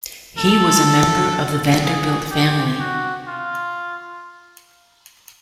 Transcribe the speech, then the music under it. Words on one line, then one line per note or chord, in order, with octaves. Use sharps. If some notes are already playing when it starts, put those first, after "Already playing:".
He was a member of the Vanderbilt family.
A4
G#4
G4
F#4
F4